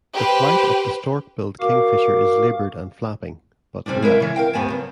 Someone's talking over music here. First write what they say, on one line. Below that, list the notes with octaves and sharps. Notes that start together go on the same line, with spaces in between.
The flight of the stork-billed kingfisher is laboured and flapping, but direct.
G4 B4 C5
F#4 A#4 F5 D6
C3 F#3 G3 C#4 D4
G#3 E4 A#4 E5 F5
C#3 E3
A#4 F5 G5
D2 G2 B3 G4 G#5 A5
F#2 C#3